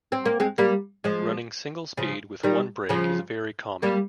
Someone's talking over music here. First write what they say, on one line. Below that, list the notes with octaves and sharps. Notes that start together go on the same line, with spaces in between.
Running singlespeed with one brake is very common.
C4
A#3
G#3 C4
G3 A#3
F3 G#3
C#3 F3
D#3 G3
C#3 F3
G3 A#3